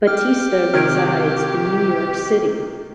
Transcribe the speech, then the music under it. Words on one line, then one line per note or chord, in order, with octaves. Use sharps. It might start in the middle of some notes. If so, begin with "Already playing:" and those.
Batista resides in New York City.
G4 F6
C3 D#3 F6 G#6 D7